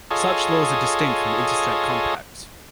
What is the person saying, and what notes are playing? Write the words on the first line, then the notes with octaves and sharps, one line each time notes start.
Such laws are distinct from interstate compacts.
F4 G#4 A4 C#5 D#5